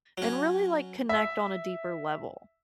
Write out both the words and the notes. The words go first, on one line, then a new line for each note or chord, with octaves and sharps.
and really, like, connect on a deeper level.
F#3 C#4
E5